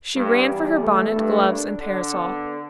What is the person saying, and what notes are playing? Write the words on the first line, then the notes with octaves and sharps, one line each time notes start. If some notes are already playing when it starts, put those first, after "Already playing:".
She ran for her bonnet, gloves and parasol.
G2 G3
E2
A3
G2
D4
D3 D4
B3